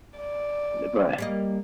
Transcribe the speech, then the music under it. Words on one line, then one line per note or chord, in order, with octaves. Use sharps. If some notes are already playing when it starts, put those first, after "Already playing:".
D but
D5
G3 A#3 D#5